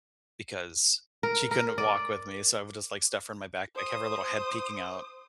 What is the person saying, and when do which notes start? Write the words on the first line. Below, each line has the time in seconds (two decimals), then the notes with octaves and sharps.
because she couldn't walk with me, so, I would just, like, stuff her in my backpack, have her little head peeking out
1.23 A#4
1.51 A#4
1.78 D5
3.75 C5 D#6